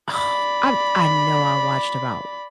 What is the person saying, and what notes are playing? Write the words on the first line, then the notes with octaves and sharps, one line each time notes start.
Oh, I I know I watched about
D5 B5